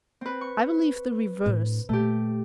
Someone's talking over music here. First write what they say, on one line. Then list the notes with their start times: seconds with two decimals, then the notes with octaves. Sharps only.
I believe the reverse.
0.21 C4 B4
0.41 C#6
1.46 A2 D4
1.89 A#2 A3 G4